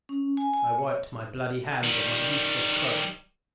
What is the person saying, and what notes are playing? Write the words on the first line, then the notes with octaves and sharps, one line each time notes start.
I wiped my bloody hands on my useless cloak.
C#4
G#5
G#5
C#5
D#3 G3